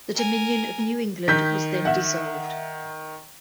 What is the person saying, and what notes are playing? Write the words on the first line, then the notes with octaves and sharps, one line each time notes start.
The Dominion of New England was then dissolved.
A#4 G#5
D#3 G6 B6
E5 F#5